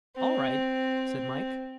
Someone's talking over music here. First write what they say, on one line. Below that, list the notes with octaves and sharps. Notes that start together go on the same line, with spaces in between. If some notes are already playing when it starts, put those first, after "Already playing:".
"All right," said Mike.
C4